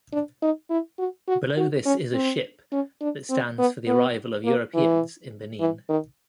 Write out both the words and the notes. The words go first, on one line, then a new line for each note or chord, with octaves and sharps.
Below this is a ship, that stands for the arrival of Europeans in Benin.
D4
D#4
E4
F#4
F#4
F#4
C#4
C4
C#4
D4
C4
B3
B3
A#3
E3
E3
D#3